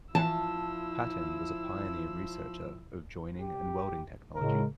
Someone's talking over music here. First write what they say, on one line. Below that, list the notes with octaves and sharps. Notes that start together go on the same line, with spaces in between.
Paton was a pioneer researcher of joining and welding technology.
E3 F3 E4 A5 E6
G4
A2 C#3 G#3 A#4